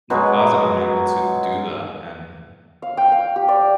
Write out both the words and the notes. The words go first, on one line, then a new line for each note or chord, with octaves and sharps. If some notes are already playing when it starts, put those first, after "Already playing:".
the closet, I'm able to do that, and
B2 F#3 G#3
F5
G5
F5
G4
D5